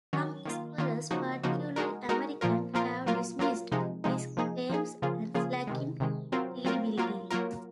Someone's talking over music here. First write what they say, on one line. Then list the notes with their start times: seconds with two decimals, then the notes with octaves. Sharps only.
Some scholars, particularly American, have dismissed these claims as lacking credibility.
0.13 D#3 F#3 C#4
0.45 D#3 A#3 F4
0.78 D#3 A#3 F4
1.11 C#3 F3 A#3 D#4 F#4
1.44 C#3 F3 A#3 D#4 F#4
1.76 G#3 D#4 F#4 A#4
2.09 G#3 D#4 F#4 A#4
2.41 A#2 F3 A#3 F4 A#4
2.74 A#2 F3 A#3 F4 A#4
3.06 F#3 A#3 F4 A#4
3.39 F#3 A#3 F4 A#4
3.72 C3 F3 G#3 D#4
4.04 C3 F3 G#3 D#4
4.37 F3 A#3 D#4 G#4
4.70 F3 A#3 D#4 G#4
5.02 C#3 F3 A#3 F4 G#4
5.34 C#3 F3 A#3 F4 G#4
5.67 C3 D#3 G#3
6.00 C3 D#3 G#3
6.32 F#3 C4 F4 A#4
6.65 F#3 C4 F4 A#4
6.97 F#3 A#3 F4 A#4
7.30 F#3 A#3 F4 A#4